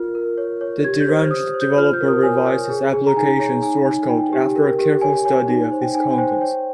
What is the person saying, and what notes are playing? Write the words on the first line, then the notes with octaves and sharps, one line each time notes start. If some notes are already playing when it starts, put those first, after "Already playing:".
The deranged developer revised his application source code after a careful study of its contents.
Already playing: F4 A#4 F6
A#4
C#5
C#5
G4 G#6
G6
C5
F6
C5 D#6
C5
G6
F4 F6
G6
A#4
D#6
C#5 G#5
C#5
G#4
G#4
A#5
D#4 G#5
C#5
D#4 G#5
D#4
D#4 G5
G4
A#4
G4
C#5 G#5
C#5 G#5
D#4
C5
G5
D#4 G#5
G#5
C5 G5
C#5 G5